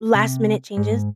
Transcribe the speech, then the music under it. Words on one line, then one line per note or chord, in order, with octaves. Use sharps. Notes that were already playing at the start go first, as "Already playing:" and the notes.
last minute changes,
C3
G#2